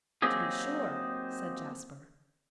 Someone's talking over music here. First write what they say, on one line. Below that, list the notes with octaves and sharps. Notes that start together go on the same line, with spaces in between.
"To be sure," said Jasper.
F#3 A#3 C4 D#4 G4 G#4